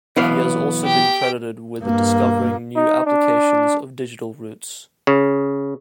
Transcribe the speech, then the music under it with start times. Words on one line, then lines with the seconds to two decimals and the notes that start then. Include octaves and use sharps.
He has also been credited with discovering new applications of digital roots.
0.16 B1 E3 B3 F5
0.83 G4 G5
1.81 G2 A#3
2.76 D#4
3.06 D4
5.07 C#3